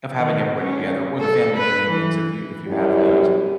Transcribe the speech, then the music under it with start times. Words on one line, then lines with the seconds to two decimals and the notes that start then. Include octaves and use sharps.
of having everybody together or the family reunions if you if you have those,
0.16 D#3
0.58 C#4
1.20 A4
1.56 B4
1.89 E3
2.67 F#2 G3 E4 G4